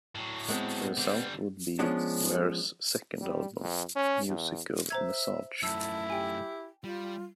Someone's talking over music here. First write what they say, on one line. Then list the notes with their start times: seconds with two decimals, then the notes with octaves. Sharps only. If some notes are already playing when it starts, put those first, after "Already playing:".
The result would be Ware's second album, "Musical Massage".
0.15 A2 F#3
0.48 G#3 B3 C4
0.98 D3 G3
1.79 F3 G#3 B3 C#4 D4
3.21 G3
3.61 F2
3.95 C#4
4.27 E2
4.90 C5 E5 A#5 G#6
5.63 F#2 A3 E4 A5 E6
6.10 G4 G5 G#5
6.84 G3 F4